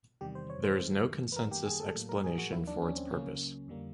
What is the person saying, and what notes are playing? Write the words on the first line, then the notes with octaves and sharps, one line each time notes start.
There is no consensus explanation for its purpose.
E2 C3 D#3 G3 G4
C5
C#5
C5
F#2 D#3 G#3
B4
F#2 D#3 G3 A#3 A#4
G4
G#4
A4
A2 F#3 A#3
A#4
G#4
F#4
D#2 D#3 F#3 A#3 E4
D4
C#4
C4
C#2 C#3 F#3 A#3 C#4
F2 D3 G3 A#3